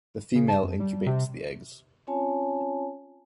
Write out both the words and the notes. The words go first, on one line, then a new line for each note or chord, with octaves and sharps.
The female incubates the eggs.
C#3
A5
F#2
G3
C3
C4 C#4 F4 C#5 G#5 A5